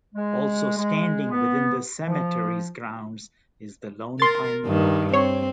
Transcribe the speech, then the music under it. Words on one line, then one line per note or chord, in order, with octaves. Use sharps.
Also standing within the cemetery's grounds is the Lone Pine memorial.
G#3
G#3
B3
F3
A#4 C6 A6
G2 D#3
C4 C#5